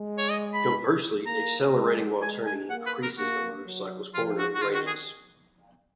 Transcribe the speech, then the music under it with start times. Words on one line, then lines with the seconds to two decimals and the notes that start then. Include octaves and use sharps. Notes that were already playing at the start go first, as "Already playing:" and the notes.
Conversely, accelerating while turning increases the motorcycles cornering radius.
Already playing: G#3
0.18 C#5
0.29 D#5
0.54 B5
1.26 A#3 A#5
1.74 G#3
2.22 G#3 G#5
2.46 G#5
2.70 A#3 F#5
2.86 B4
3.03 A#4
3.18 A#3 F#4
3.66 F#3
4.14 F3 F4
4.39 F#4
4.55 F#4
4.62 D#3 F4
4.74 F#4
4.87 G#4